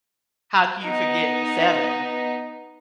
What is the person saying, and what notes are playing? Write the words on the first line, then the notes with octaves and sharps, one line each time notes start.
how can you forget Seven?
B3 D#4